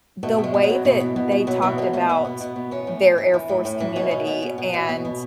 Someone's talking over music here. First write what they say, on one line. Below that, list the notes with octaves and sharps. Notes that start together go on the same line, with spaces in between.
the way that they talked about their Air Force community, and
B2 A3
B2
G#3
B2
F#3
B2
B2 E3
B2
B2
B2
B2 F#3
B2 E3
B2 F#3
B2 A3
B2 B3
B2
B2
B2
E3 C#4
A2
A2
E3
E3
A2
A2
E3
B2 C#4
B2
B2
B2
B2
B2
B2
B2